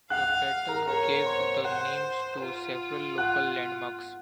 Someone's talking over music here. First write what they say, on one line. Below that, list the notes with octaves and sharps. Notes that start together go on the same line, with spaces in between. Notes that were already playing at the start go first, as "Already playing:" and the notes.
The battle gave the names to several local landmarks.
F5 F#5 F#6
F#5 F#6
A#4 A#5
A#4 C#5 A#5
C5 C6
C5 F#5 F#6
F4
F#5 F#6